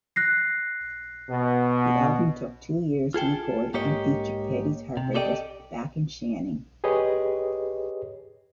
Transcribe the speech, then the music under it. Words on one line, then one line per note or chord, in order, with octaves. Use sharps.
The album took two years to record and featured Petty's Heartbreakers backing Shannon.
F#6 A#6 C7
B2
F4 G#4 A4 G5
G#2 A#3 G4 C#5 D#5
C3
G4 A4 D5 D#5 G5
G4 G#4 B4 C#5 D#5